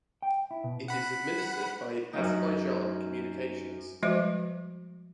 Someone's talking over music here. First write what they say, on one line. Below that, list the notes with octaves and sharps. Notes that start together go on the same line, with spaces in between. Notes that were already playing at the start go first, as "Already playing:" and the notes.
It is administered by Azerbaijan Communications.
G5
E4
B2
F#5 B5
F#2 D#4
F3 G3 G#3 F#4 C5 D6